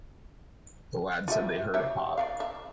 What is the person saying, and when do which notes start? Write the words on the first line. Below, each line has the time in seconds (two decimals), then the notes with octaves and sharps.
The lads said they heard it pop.
1.28 F4 G4 E5
1.74 G4 C#5 E5
2.18 D5 E5 F5
2.40 E5